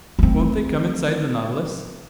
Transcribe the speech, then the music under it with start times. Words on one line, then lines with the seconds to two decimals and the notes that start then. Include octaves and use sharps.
"Won't they come inside the Nautilus?"
0.19 A3 C4